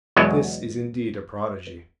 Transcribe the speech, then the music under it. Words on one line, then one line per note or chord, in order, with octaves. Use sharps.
This is indeed a prodigy.
E2 B2 F#3 G#3